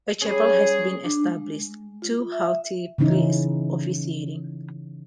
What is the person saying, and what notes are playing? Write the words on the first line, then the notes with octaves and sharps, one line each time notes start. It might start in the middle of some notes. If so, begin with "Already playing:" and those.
A chapel has been established, two haughty priests officiating.
G3 C#4 G#4
D4
G#3
F4
E5
C#3 E3 C#4 D#4 E4